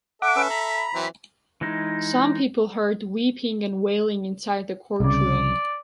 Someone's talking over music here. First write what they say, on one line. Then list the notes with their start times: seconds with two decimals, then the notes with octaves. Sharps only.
Some people heard weeping and wailing inside the court room.
0.22 A4 E5 F#5 D6
0.36 C#4 B4 E6
0.50 A#5 B5
0.94 E3 F#3 C4
1.61 E3 G#3 D#4
5.00 C2 C#3 D5